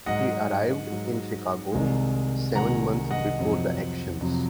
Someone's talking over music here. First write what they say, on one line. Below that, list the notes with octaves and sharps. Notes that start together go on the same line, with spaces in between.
He arrived in Chicago seven months before the actions.
G#2 F#3 D#5 F#5
G#2 F#3
C2 C3 D#3 G#3
C2 C3 D#3 G#3 F#5 A#5
D#5 F#5
F2 C3 F#3
F2 C3 F#3